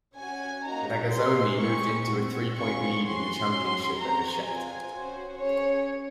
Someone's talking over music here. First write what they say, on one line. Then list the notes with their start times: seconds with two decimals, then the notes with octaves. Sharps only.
Regazzoni moved into a three-point lead in the championship over Scheckter.
0.18 C#4 F#4 G#5
0.65 A#3 D#4 F#4 A#5
1.12 A#3 D#4 G#4 C6
1.61 C4 D#4 G#4 C#6
2.08 C4 F#4
2.55 C4 F4 G#4 C#6
3.03 C#4 F#4 C6
3.51 C#4 F#4
3.98 C4 F#4 A#5
4.46 C4 F4 G#4 G#5
4.93 C#4 F#4 C5
5.41 C#4 G#4 C#5